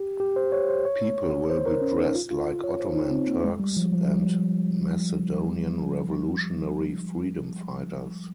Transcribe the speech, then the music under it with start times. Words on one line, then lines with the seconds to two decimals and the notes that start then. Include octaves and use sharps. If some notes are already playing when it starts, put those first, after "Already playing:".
People will be dressed like Ottoman Turks and Macedonian revolutionary freedom fighters.
Already playing: G4
0.20 G4
0.36 C5
0.52 C#5
0.69 C5
0.85 C#5
1.50 C5
1.66 A#4
1.82 C#4
1.98 D#4
2.15 F4
2.31 F4
2.64 C#5
2.80 C5
2.96 D#4
3.11 C4
3.28 A#3
3.44 G#3
3.60 G3
3.77 F3
3.93 F3
4.09 G3